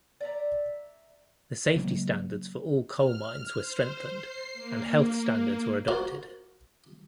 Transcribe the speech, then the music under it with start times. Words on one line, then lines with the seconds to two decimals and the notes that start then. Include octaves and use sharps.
The safety standards for all coal mines were strengthened, and health standards were adopted.
0.21 D5 E5 A#5
1.76 C#3 F#3 G#3 A#3
2.92 F6
3.55 C5
4.08 C7
4.53 A#3
5.88 F#4 A#4 C5